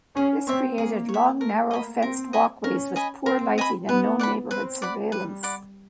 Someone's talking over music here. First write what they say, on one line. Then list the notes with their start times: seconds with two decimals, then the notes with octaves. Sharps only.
This created long, narrow, fenced walkways, with poor lighting and no neighbourhood surveillance.
0.16 C#4 G#4
0.47 C4 C#5 E5
0.78 A#3 G#4
1.09 C#5
1.14 E5
1.40 A3 A#4
1.71 A#3 D#5 G#5 B5
2.02 C4 A#4
2.33 D#5 G#5 B5
2.64 C#4 A#4
2.96 D#5 G#5 B5
3.26 C4 A#4
3.58 D#5 G#5 B5
3.88 B3 B4
4.19 D5 F#5 B5
4.50 C4 B4
4.82 D5 F#5 B5
5.12 G3 B4
5.43 D5 F#5 B5